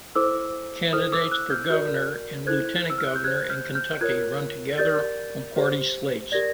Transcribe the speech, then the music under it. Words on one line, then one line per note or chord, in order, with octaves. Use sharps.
Candidates for governor and lieutenant governor in Kentucky run together on party slates.
E4 A4 C5 D6 E6
E4 A4 C5 D#6 F6
D6 E6
E6 F#6
F6 G6
F#4 A#4 D5 F6 G6
E4 A4 C5 F#6 G#6
E6
F6
F#6
G6
G4 C5 F#6 G#6
F6 G6
F6 G6
F4 A#4 C#5 F#6 G#6
G4 A#4 D5 G6 A6
G4 C5
G4 A#4 D5 G#6 A#6